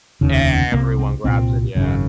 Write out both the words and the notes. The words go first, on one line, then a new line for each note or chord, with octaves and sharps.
Everyone grabs it, yeah.
F1 D#2 C#3
C2 C3 A#3
C4
C2 A#2 C4
G#1 F#2 C#3